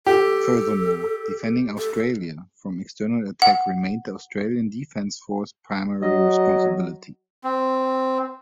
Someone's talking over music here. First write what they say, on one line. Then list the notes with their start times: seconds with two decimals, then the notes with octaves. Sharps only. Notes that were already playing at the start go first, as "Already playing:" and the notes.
Furthermore, defending Australia from external attack remained the Australian Defence Force primary responsibility.
0.07 G4 A4
1.78 A4
3.42 F#5
6.02 F#3 D#5
7.44 C4